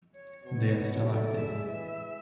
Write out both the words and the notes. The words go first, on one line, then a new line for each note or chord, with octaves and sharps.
They are still active.
C#5
B2 C#5
C#5
A3 D5
G#3 E5
E3 E5